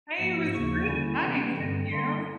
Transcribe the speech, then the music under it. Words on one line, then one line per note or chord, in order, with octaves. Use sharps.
Hey, it was great chatting with you.
G#2 F3 A#3
D#2 C#3 F3 A#3 C#6
D3 G3 A#3 C#4 E4
C3 E3 G3 B3
G2 D3 G3 C4
D3 G3 A#3 C6